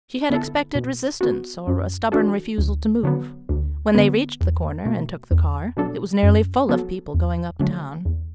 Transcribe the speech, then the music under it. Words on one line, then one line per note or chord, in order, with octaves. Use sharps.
She had expected resistance or a stubborn refusal to move. When they reached the corner and took the car it was nearly full of people going uptown.
D3 B3 E4 A4
B2
B3 F#4
F#2
E3 D4 F#4 A4
D2
D3 F#3 B3
D2
D3 B3
E2
B2 A3
E2
B2 F#3 D4 A4
F#2
F#3 B3 F#4 A4
E2
D3 F#3 A3
E2